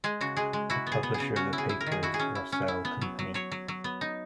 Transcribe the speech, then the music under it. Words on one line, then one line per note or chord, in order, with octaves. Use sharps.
The publisher of the paper is Rossel company.
G#3 G#4
C#3 F#4
G#3 G#4
G#3
E4 F#4
B3
G#4
B3
G#4
C#3
C#4 F#4
E4
G#4
E4
A#4
D#3
G#4
E4 F#4
G#4
C#4
E4
C#4
E4
B3
F#3
F#3
F#3 C#5
F#3
F#3
B3
D#4